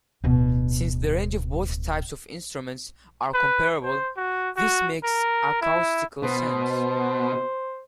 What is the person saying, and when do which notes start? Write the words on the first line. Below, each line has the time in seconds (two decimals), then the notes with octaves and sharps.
Since the range of both types of instrument are comparable, this makes acoustical sense.
0.24 D1 B2
3.34 B4
3.83 C5
4.17 F#4
4.57 F#4
5.04 A#4
5.62 E4
6.23 B2 C5